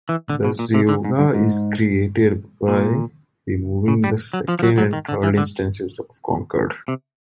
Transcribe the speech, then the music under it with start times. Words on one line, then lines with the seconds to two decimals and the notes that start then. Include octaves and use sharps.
The zeugma is created by removing the second and third instances of "conquered".
0.09 E3
0.30 D3
0.44 B2
0.59 A#2
0.74 C3
0.89 D3
1.05 G#2
1.19 G2
1.34 G#2
2.68 A#2
3.88 C#3
4.04 G3
4.33 F#3
4.48 F3
4.59 F3
4.63 F#3
4.78 F#3
4.93 D#3
5.09 D3
5.23 E3
5.38 D3
6.88 C3